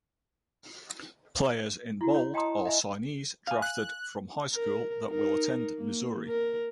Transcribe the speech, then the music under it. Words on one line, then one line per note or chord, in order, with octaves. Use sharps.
Players in bold are signees drafted from high school that will attend Missouri.
E4 F#4
C#5
D#5 G5 A5 A#5 C6 D#6
D#5 E5 G#5
F5 G#5
F#6
A#4
D#4 A#4
A#3
A#4